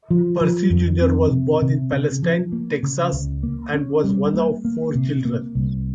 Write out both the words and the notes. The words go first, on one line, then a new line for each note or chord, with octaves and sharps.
Percy junior was born in Palestine, Texas and was one of four children.
F3
F3
F2
C4
C3
C3
C#3
F3
A#3
C#3
C#2
A#3
C#4
G3
A#3
A#3
C3
A#3
C2